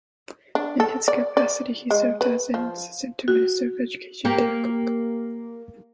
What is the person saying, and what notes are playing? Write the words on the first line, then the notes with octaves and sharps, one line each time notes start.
In this capacity, he served as an assistant to Minister of Education Dave Cooke.
D4
A4
D5
D5
G#3
B4
F3
F#4
A#3 G4 A#4